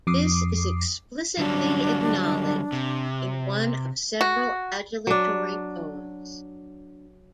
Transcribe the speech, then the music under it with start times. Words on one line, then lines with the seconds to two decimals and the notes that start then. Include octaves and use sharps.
This is explicitly acknowledged in one of several adulatory poems.
0.07 F2 D6 D#6 C7
1.38 D3 F#3 G3 D4
2.72 C3
4.21 F#4
5.07 F#3 D4